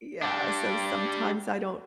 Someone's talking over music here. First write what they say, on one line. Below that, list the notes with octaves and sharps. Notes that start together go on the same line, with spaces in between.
Yeah, so sometimes I don't
G3 D4